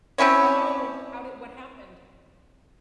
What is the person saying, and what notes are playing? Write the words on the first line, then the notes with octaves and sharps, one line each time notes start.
Oh, how did what happened?
C4 C#4 E4 C#5